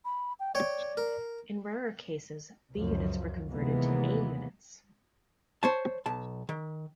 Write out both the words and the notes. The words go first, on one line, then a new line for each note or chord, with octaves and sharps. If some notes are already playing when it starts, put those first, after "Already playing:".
In rarer cases, B units were converted to A units.
B5
G5
C#5 D5 G5
A#4
C#2 F#2 F3
D#2 C3 E3 G#3 A#3 B3
C5 C#5 A5
B1 A5
D#3